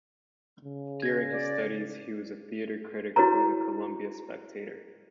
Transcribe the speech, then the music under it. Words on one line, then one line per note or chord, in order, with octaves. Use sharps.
During his studies, he was a theater critic for the "Columbia Spectator".
C#3
G#6 A#6
D5
E4 F#4 B4 C#5 A#5